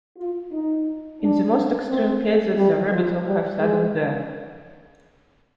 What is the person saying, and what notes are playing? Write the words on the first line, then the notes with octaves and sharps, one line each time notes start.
In the most extreme cases the rabbit will have sudden death.
F4
D#4
D4
C4
G3
F3
G3
G#3